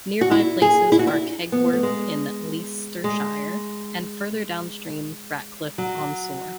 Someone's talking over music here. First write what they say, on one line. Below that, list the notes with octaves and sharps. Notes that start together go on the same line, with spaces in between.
Nearby places are Kegworth in Leicestershire and, further downstream, Ratcliffe on Soar.
F#4
E4
G#4
E4
F#4
E4
B3
A3
G#3
G#3
F#3